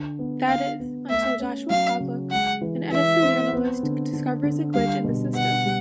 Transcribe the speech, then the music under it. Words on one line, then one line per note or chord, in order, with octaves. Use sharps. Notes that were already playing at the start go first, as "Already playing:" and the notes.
That is, until Joshua Pollack, an Edison journalist discovers a glitch in the system.
Already playing: D3
B3
B3 F5
B3
A3 E5
C#4
F#3 F5
C#3
G#3 F#5
E3
E3 E5
C4
B3
D3
D3
D3
G3 F5
B2
B2 F#5
G3